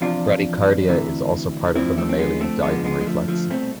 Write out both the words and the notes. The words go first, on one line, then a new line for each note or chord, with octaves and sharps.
Bradycardia is also part of the mammalian diving reflex.
E2 C3 F3 D4 F4
D2 C3 E3
D2 D3 F3 C4 E4
A3 C4
C4
G#3 B3
A3 C4
F2 D3 F3 G#3 B3
G#3 B3
G#3
F3 A3
F3 A3
C2 B2 A3 C4